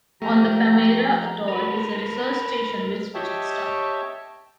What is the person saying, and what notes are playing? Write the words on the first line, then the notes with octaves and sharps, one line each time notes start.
On the Palmyra-Atoll is a research station with switching staff.
F3 A3 G4 A#5
A#4 B4
G4 C#5 D#5 E5 G5 A5